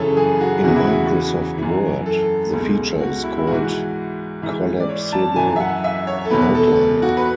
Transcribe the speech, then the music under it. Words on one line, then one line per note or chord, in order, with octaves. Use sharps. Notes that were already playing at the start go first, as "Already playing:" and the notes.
In Microsoft word, the feature is called "collapsible outlining".
Already playing: F#2 C#3 E3 A4 C#5
G#4
F#4
E2 C#3 E3 F#4
E4
F#4
F#2 E3
A4
C#2 B2
F#4
E4
E4
G#2 E3 F#4
G#2 E3
D5
C#5
A5
F#2 E3 G#5
E5
F#5
E5
C#5
A4
E2 B2 B4
A4
F#4
B4